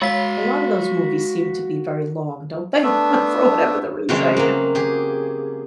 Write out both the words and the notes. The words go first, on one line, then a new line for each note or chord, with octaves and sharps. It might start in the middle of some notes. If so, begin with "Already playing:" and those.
a lotta those movies seem to be very long, don't they? For whatever the reason, I guess.
G#3 F#4 F5 B6
A3 B3 D4 E5
C#3 E3 F#3 G#3 C4 C#4
F#3 A#3
G4 G#4